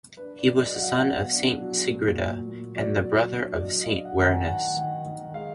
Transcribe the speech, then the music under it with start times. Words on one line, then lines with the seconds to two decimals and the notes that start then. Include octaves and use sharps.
He was the son of Saint Sigrada and the brother of Saint Warinus.
0.17 D4 B4
0.39 D5
0.46 F#3
0.53 D5
0.60 D#5
0.75 F#3 F#5
0.82 F5
1.03 B2
1.32 D4
1.61 F#3
1.90 A#2
2.18 A#2
2.47 A#2
2.76 F#3 D5
3.04 F#3
3.33 D4
3.55 D5
3.62 F#3 D#5
3.75 D#5
3.83 F5
3.90 D4
4.05 F#5
4.19 D#3 A#5
4.26 G#5
4.48 D#3 F#5
4.77 D#3
5.06 D#3
5.34 G#3 F5